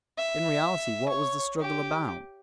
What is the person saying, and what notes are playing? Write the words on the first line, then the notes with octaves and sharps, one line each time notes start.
In reality, what was the struggle about?
E5
C#5
G4